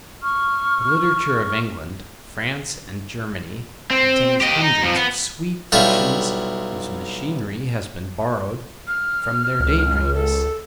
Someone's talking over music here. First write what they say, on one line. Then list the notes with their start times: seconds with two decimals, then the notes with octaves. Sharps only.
The literature of England, France, and Germany contains hundreds of sweet fictions, whose machinery has been borrowed from their day-dreams.
0.22 C#6 F6
3.91 C4
4.41 G4 D#5
4.62 D#4
4.83 F2 F3
4.96 B3
5.72 B1 G3 E4 F4 C#6
8.87 F6
9.60 C#2
10.14 A4